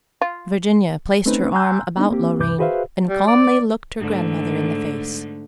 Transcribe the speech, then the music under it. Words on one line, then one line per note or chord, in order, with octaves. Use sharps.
Virginia placed her arm about Loreen and calmly looked her grandmother in the face.
F4
A3 C4 C#4 D#4 B4 C5
G#5 A#5 C6 E6 F#6 G6
B3 D4 D#4
A#3 C4 G4
D2 G2 C3 B4 D6 G6
F#4 G#4 B4 C5 E5 F5
G3
D5
G#2 D3 A3